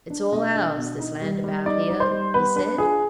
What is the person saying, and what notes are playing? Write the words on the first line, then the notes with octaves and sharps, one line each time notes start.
"It's all ours, this land about here," he said.
D4
B2 D#5
D4
B2
D#4
G3
G3
D#4 D5
D#4
C5
G3
B3 B4
D4 B4
F4 G#4